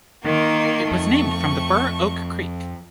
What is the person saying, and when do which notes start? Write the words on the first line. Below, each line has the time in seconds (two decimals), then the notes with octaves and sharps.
It was named from the Burr Oak Creek.
0.23 D#3 A#3 C6
0.91 F2 A3 C#6